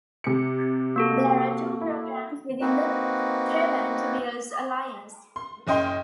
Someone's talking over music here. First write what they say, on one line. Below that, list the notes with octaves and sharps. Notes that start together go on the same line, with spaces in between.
There are two programs within the Thrivent Builds alliance.
C3 C#7
A#3 F#4 A4
E4
A#3 C4 D#4 F#4 B4
C6
F#1 C#4 D#5 G5 C6